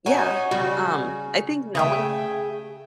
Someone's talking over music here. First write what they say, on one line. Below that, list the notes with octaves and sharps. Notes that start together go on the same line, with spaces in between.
yeah, um, I think knowing
C#4 D#4 F#4 G#5
C#3 G3 F#4
C#3 A3 G#4 E5 G5